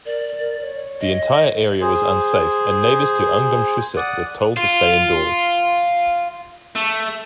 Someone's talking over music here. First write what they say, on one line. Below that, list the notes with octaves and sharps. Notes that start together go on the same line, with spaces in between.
The entire area was unsafe and neighbors to Ungdomshuset were told to stay indoors.
A#4 D5
A#4
C#5
D#5
G#4 C5
D5 F#5 D#6
F4
A3